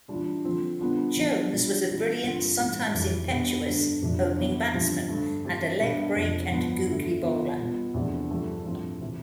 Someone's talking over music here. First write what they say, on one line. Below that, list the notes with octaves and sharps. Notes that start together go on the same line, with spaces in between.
Jones was a brilliant, sometimes impetuous, opening batsman and a leg-break and googly bowler.
E3 G3 D4 F4
D3 F3 C4 F4
D3 G3 B3 D4 F4
D3 F3 B3 D4
B2 G3 D4 F4
E3 G3 C4 F4
G2 D3 G3 C4 F4
A2 E3 G3 C4
F2 E3 G3
B2 B3 D4 G4
G2 D3 A3 D4
F2 C3 F3 A3 D4
E3 B3 E4
G2 D3 F3 C4 G4
G2 D3 A3
E3 A3 C4 G4
B2 G3 B3 D4
F2 C3 F3
G2 F3 B3 D4
D3 A3 E4
E3 B3 F4
B2 G3 B3 F4
E2 C3 F3 A3 D4
G2 F3 A3 D4 G4
A2 F3 A3 C4 F4
C3 E3